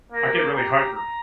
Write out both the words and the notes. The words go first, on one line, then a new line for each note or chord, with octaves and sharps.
I get really hyper.
A#3 A#6
D6
G4 A#5
A#5
A#5